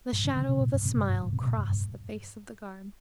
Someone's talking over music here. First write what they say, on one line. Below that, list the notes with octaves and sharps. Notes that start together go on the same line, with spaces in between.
The shadow of a smile crossed the face of the guard.
G#2
C#3
C#3
C3
A#2
G2
C3
G#2
G2
G#2
C3
A#2
G2
G2